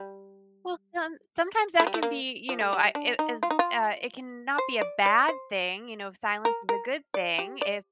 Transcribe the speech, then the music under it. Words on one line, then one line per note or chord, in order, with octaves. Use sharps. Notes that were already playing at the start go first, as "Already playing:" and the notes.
Well, some sometimes that can be, you know, I it it's, uh It can not be a bad thing, you know, if Silence is a good thing, if
Already playing: G3
A3
G3
A3
A#3
F3
A3
G3
D4
D#4
F4
D#4
F4
C5
D5
D5
C5
A#4
A#4
D5
G4
D5